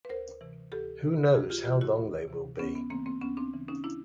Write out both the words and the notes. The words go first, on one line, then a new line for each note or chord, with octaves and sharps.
Who knows how long they will be?
B4
D2 A#4 C5
C3 E3
D2 G4 A4
C3 E3
D2 F#4 G#4
F4 G4
C3 E3 F4 G4
E4 F#4
D2
C3 E3
D2 B3 C#4
B3
C#3 E3 A#3 C4
A#3 C4
D2 B3 C#4
C4 D4
C#3 E3
C#4 D#4
D4 E4